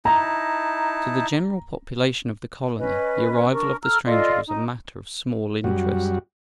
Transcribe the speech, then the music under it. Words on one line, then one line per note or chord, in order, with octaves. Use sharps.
To the general population of the colony the arrival of the stranger was a matter of small interest.
D#4 E4 A5 A#5
C#4 B4 D#5
D4 A#4 C#6
A4 A#5 E6 F6
F4 A4 D5 D#5
D#4
F#2 G3 F#4